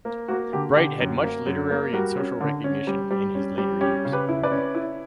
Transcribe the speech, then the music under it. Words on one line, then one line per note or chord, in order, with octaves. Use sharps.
Bright had much literary and social recognition in his later years.
A#3
A#3 F#4 A#4
D3 G4
D3 G4
F#2
A#3
F#2
A#3
G3 F#4 A#4
C#4
D3
C#4
G3
G3
C#4
G3
C#4 G4
C#3
G4 B4
E4
B4 D5
C#4
E4